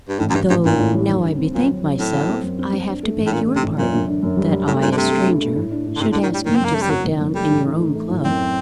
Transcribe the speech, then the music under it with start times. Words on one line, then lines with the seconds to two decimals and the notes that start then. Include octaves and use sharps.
"Though now I bethink myself, I have to beg your pardon;--that I a stranger should ask you to sit down in your own club."
0.08 G2
0.19 A1 A2
0.30 F#2
0.35 A1 G2
0.49 A1 G2
0.65 A1 A#2
0.80 A2
0.94 G3
1.09 D#2
1.24 D3
1.39 C4
1.54 A#2 F#3
1.70 F#3
1.84 F#3
1.98 A2 C4
2.13 F#3
2.29 C4
2.43 F#2
2.59 C4
2.73 C4
2.88 D4
3.03 A3
3.18 A1
3.26 A2
3.32 A#2 D4
3.47 A3
3.56 C3
3.63 A1
3.78 F#2 A#2
3.93 D3
4.08 D4
4.23 F#2
4.37 G3
4.52 G3
4.67 A2 A3
4.82 G2 A#2
4.92 D3
4.96 C3 A3
5.12 A3
5.27 G2
5.41 A3
5.56 A2
5.71 D4
5.86 A2
5.96 D3
6.01 A2 C3
6.12 D3
6.16 D4
6.23 D#3
6.31 G3 D4
6.46 F#1 D#3
6.56 C4
6.61 F#2 A#3
6.74 A3 C4
6.82 G3
6.90 F#1 F#3
7.05 F#1
7.21 F#2
7.35 G3 A3
7.50 A1
7.65 D#4
7.80 A3
7.95 A3
8.10 A2
8.25 F#2 C4